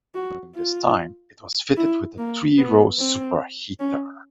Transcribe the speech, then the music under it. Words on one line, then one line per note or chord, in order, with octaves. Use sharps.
During this time it was fitted with a three row superheater.
F#4
F4
E4
A#3
B3
C4
C#4